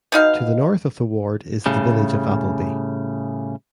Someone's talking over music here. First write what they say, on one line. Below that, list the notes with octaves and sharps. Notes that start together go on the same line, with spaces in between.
To the north of the ward is the village of Appleby.
B2 D#4 F5
A2 C#3 G3